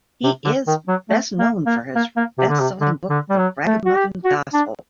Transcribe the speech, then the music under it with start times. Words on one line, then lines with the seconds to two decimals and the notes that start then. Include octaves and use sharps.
He is best known for his bestselling book "The Ragamuffin Gospel".
0.24 C3
0.44 D3
0.67 D#3
0.88 F#3
1.09 A3
1.39 A#3
1.66 A#3
1.95 A#3
2.16 A#3
2.38 C3
2.49 D3
2.60 C3
2.81 D3
3.10 D3
3.30 G3
3.38 F#3
3.67 A3
3.86 F#4
3.96 G4
4.24 F#4
4.54 D4